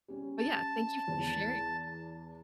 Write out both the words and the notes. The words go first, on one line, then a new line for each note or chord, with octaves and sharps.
But, yeah, thank you for sharing
G3 C#4
A5
E2